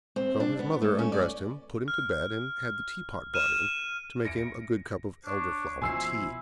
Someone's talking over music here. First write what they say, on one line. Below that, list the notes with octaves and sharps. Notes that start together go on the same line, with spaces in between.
So his mother undressed him, put him to bed, and had the tea-pot brought in, to make him a good cup of Elderflower tea.
C4
D4
B3
A3
C#4
D5
F6
F6 D#7 E7
A#6 C#7 D7
D4 C#5
B2 F3 E4 G#5 C6 E6 C7